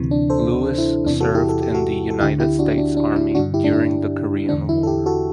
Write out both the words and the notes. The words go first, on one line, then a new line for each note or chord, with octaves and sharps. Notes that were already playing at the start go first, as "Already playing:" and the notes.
Lewis served in the United States Army during the Korean War.
Already playing: D2 C3 E3
D4
A4 C5
E4
E2 C3 E3 D4
F#4 A4
E4 G4
A4
G4
F#4 A4
A4
D2 D3 E4 G4
E4 G4
D4 F#4
D4
D4
E4
G2 D3 D4 F#4
E4 G4
D4
E4
E2 D3 D4
E4
A4
E4 G4
F#4 A4